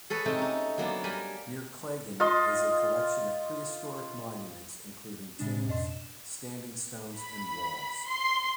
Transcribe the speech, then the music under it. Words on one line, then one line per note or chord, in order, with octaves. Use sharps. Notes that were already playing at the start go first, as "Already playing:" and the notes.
Near Cleggan is a collection of prehistoric monuments including tombs, standing stones and walls.
G#4 A4 B4 C#5
C3 A3 C4 D#4
C#4 D#4
F#3 A#3 B3 D4
G3 A#4 G#5 B5
F4 D#5 C6
A2 C#3 G#3 D4
F2 B2 D4 D#5 C6
E7
B5
C6